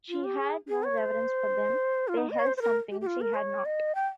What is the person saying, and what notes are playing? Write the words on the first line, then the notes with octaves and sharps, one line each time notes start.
She had more reverence for them: they held something she had not.
F4
G4
G#4
G#4
C#5
C5
F4
D#4
D#5
C#5
C5
C5
A#4
G4
G4
F4
A#4
C#5
D#5
G5